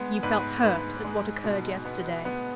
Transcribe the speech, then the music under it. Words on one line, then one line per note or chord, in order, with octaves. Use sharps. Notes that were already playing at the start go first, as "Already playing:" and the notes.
You felt hurt at what occurred yesterday!
Already playing: G#3 B3
G#2 B4
G#2 B4
G#3
B2
B3
B3